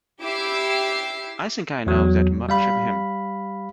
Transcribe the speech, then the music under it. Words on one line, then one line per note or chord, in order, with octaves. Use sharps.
I think I know that much of him.
E4 G4 D6 E6 C7
E2 F#3
G3 F5 B5